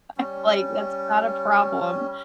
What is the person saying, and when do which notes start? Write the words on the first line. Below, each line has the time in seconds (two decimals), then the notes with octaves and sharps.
I'm like, "That's not a problem."
0.17 G3 C#4